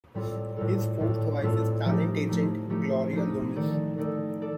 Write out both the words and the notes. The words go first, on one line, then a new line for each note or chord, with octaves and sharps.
His fourth wife is talent agent Gloria Loomis.
A2 G3 C4 F4 A4
A2 G3 C4 F4 A4
A2 G3 C4 F4 A4
A2 G3 C4 F4 A4
F3 A3 D#4 G4
F3 A3 D#4 G4
F3 A3 D#4 G4
F3 A3 D#4 G4
D#3 A3 D#4 A4 D5
D#3 A3 D#4 A4 D5
A4 D5